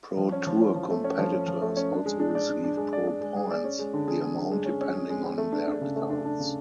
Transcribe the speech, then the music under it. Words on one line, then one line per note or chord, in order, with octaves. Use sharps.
Pro Tour competitors also receive Pro Points, the amount depending on their results.
F3
C#4
F3
C#4
F3
A3
C#4
F3
C#4
F3
A3
C#4
D4
G#3
D4
D5
D4
D4
G#3
D5
D5
G#3
G#4
D5
C#4
G#3
D3
G#4
G#4
D3
G#3
C#4
C#4
G#4
G#3
G#3
A3
D4
D4
C#3
A3
D4
D4
C#3